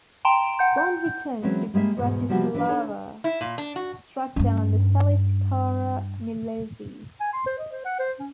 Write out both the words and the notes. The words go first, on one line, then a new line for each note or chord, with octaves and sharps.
Bond returns to Bratislava to track down the cellist, Kara Milovy.
G5 A5 A#5 C6 D7
F#5 G6
G6
E3 F#3 G#3 C4 C#4
G3 G#3 A#3 E5
E2 G#2 B2
C3 E3 F3 G3 A#3 F#4
E3 D4 B4
D4 D#4 A4 C#5 D#5
E4
A#2
D4
F#4
G2 C#4
G#5
C6
C5
D#5
C5
F#5
C5
C#4